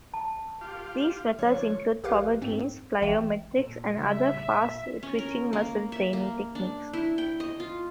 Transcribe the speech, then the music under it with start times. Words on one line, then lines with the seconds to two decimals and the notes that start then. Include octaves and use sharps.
These methods include power cleans, plyometrics, and other fast twitching muscle training techniques.
0.14 A5
0.61 F4 G4 F5
1.39 D3 F3 C#5
2.04 A#1 G4 A#4 B4 F5 F#6
2.41 G#2 C4
3.02 A1 E3 E5 G5 E7
3.58 A#2 A4
3.96 C#3 G3 A3 E5
4.36 A#2
5.03 C#4
5.19 A#4
5.53 A#3
5.92 E5
6.13 A#3
6.55 D4
6.93 E4
7.18 G5
7.40 D#5
7.60 F4